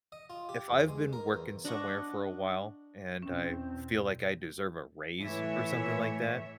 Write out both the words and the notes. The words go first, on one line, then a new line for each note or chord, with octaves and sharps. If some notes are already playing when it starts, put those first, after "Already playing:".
If I've been working somewhere for a while, and I feel like I deserve a raise or something like that.
D#5
F4
G4
E2
G#3
A#4
E2
D4 D#5 F#5 C#6
E2 B2 C4 C#4
A2 E3 C#5 E5